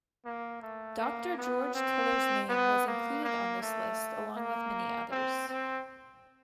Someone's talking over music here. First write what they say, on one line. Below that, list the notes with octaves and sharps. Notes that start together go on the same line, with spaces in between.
Doctor George Tiller's name was included on this list along with many others.
A#3
A3
A#3
B3
C4
B3
A#3
A#3
A3
A#3
C4
C4